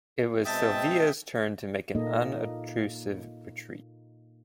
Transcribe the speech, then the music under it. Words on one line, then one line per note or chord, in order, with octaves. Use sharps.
It was Sylvia's turn to make an unobtrusive retreat.
B2 G#3 C4 E5 G5 A5 D#6
A#2 A#3 D#4 A4 D#5